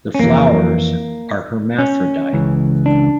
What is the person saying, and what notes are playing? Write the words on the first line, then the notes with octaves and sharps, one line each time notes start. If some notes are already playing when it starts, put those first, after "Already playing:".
The flowers are hermaphrodite.
C#4
F2 E3 A#3
C#4
C#2 C#3 E3
D4